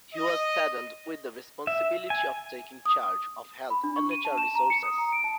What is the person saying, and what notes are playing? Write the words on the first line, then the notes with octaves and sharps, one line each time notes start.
He was saddled with the responsibility of taking charge of Health and Natural Resources.
D#5
E5
G#5
D#6
B5
D4
C#6
D#7
A5
E7
A#5
C#7
D#6
A#5
D7
A5